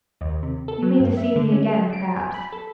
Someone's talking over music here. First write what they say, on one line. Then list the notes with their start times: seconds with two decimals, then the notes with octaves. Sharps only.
You may deceive me again, perhaps.
0.21 D#2
0.43 C3
0.68 A4
0.82 F#3
1.00 G2
1.17 E5
1.36 D3
1.52 C#4
1.93 D7
2.16 G#5
2.34 B5
2.52 A4